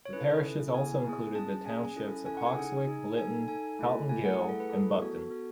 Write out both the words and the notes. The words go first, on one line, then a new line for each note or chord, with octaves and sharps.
The parish also included the townships of Hawkswick, Litton, Halton Gill and Buckden.
C#5
C#4 E4 A4 B4
A4
C#4 E4 A4
B3 E4 G#4 G#5
G#5
B3 E4 G#4 G#5
C#4 G#4 A5
C#4 G#4 G#5
C#4 E4 A4
C#4 E4 A4 G#5
F#5
G#5
D#4 G#4
D#4 G#4
D#4 A4 G#5
D#4 A4 G#5
A3 E4 A4
A3 E4 A4 G#5
F#5
A3 E4 G#4 F#5
A4
B4
A3 E4 G#4 A4
B3 F#4 A4
B3 F#4 A4